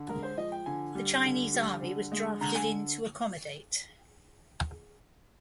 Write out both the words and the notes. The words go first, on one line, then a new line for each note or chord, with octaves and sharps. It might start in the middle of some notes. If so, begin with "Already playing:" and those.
The Chinese army was drafted in to accommodate.
Already playing: D3
G#3 A#4
C5
F3 D#5
G5
D3 G#5
G3
D3
G3
D3
G#3
D3 A#5
G#5